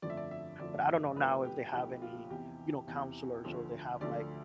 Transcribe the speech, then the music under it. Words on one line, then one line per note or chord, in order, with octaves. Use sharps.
but I don't know now if they have any, you know, counselors or they have like,
G1 F2 D3 F3 A3 D5
E5
D5
E5
G1 F2 D3 F3 A3 D5
B1 A2 F3 A3 B4
G4
B1 A2 F3 A3 G4
F4
E2 C3 E3 G4
E2 C3 E3
D2 D3 F3 A3
D2 D3 F3 A3 D5